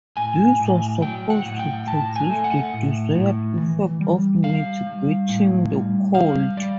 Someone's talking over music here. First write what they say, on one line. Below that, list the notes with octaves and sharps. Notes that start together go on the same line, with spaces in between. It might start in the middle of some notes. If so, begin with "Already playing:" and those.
This was supposed to produce the desired effect of mitigating the cold.
A2 G#5
A2
F#3 G5
F#5
A2
G5
A2 A5
G#5
A3
F#5
A2
A2
E3
G3
G3 F5
G3
A2
G3
G3 F5
G3 D5